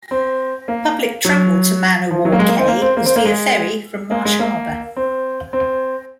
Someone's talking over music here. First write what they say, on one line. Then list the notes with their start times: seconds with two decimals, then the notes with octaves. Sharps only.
Public travel to Man-O-War Cay is via ferry from Marsh Harbour.
0.11 C4
0.68 A#3
1.25 F#3
2.11 F3
2.25 F#3
2.32 A#3
2.39 G#3
2.49 A#3
2.59 C4
2.68 A#3
2.82 C4
2.97 A#3
3.06 C4
3.16 A#3
3.25 G#3
4.11 A#3
4.25 G#3
4.39 A#3
4.96 C4
5.53 C4